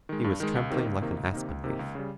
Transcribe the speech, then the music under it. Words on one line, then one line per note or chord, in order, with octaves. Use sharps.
He was trembling like an aspen leaf.
D#3 G#3
G2
D#3 G#3
C#2
C3 D#3 A#3 D#4
C#2
C3 D#3 A#3 D#4
C#2
C3 D#3 A#3 D#4
C#2
C3 D#3 A#3 D#4
C#2
C#3 G3